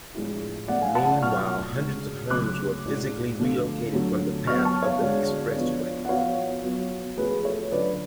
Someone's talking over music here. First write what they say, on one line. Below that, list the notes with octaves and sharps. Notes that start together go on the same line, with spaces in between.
Meanwhile, hundreds of homes were physically relocated from the path of the expressway.
A2 F3 G#3 D4
F3 A3 C#4 D5 F#5
F5 G#5
F#5 A5
D5 F#5
B2 F#3 A3 F4 C#6 F6
C#3 G#3 D4 F#4
C#3 F#3 A3 D6 F#6
A2 G#3 D4 F#4
D3 F3 A3 F4
D3 F#3 A3
F#3 B3 F#4 C#6 F6
A5 C#6
C#5 F5
D3 G#3 D4 F#4
F3 B3 D4
F#5
F3 B3 F#4 C#5 F5
F#3 B3 F#4
F3 A3 C#4 F#4 G#4 B4
A4 C#5
D3 F#3 C#4 F4 B4 D5